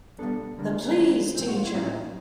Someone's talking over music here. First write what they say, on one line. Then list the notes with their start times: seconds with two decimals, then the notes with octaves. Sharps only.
The Please Teacher!
0.19 B2 G3 B3 D4 A4
0.57 D3 G3 A#3 D4
0.96 E3 G#3 C#4
1.35 A#2 F3 A3 C4
1.48 F#4
1.57 F4
1.65 E4
1.74 A2 F#3 A#3 C#4 D#4
1.92 D#4